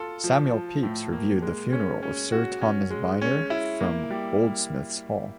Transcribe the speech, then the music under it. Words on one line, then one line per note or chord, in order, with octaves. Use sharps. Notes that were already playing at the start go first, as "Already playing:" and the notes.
Samuel Pepys viewed the funeral of Sir Thomas Vyner from Goldsmiths' Hall.
Already playing: F4 A4
F3
F3
A2
A#3
G#3
C#4
C#4
F#4
C#4
G#3
C#4
E4
A#3
G3